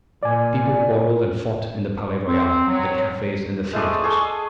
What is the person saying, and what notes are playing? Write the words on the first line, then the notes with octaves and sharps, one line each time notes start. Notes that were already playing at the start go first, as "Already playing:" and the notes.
People quarrelled and fought in the Palais Royal, the cafes, and the theatres.
A#2 D5 G#5
C4
F#3
G#3 A3 D5 D#6
G#4 A4 C#6